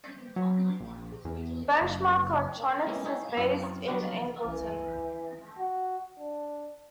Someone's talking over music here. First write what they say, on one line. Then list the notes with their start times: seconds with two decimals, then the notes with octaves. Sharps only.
Benchmark Electronics is based in Angleton.
0.36 F#3
0.80 A#1
1.25 E2
1.81 F#1
2.87 G#3 A#3 B3 C#4 E4
3.05 D#4 E4 G#4 A4 C5 C#5
3.37 F#2 C4 E4 E5 F5 A#5
3.87 F#3 G3 B3 D4 F#4 G4
4.43 E3
5.59 F#4
6.20 D4